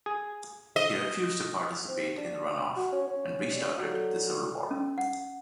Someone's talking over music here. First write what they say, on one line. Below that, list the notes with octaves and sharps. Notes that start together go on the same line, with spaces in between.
He refused to participate in the runoff, and restarted the civil war.
G#4
D#5
C4
D4
F#4
C#4
C#4
F#3
C#4
F#5